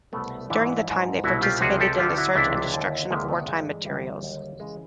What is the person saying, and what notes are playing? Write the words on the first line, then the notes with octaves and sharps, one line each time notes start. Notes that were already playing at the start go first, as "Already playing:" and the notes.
During this time they participated in the search and destruction of wartime materials.
C2 B2 F#3 A3 B3
G#2 E3 D4 E4
G#2 F3
C2 B2 F#3 E4 F#4
F4 G4
C#2 C3 F3 F#4 G#4
G4 A4
D2 D3 F#3 F4 G4
E4 F#4
C#2 C3 E3 D4 E4
D#2 D3 F#3
D2 C3 D#3 F#3 G#3 A#3
A3 B3
G2 E3 G#3
D2 C#3 E3 G3
D#2 D3 F#3
C#3 E3 G#3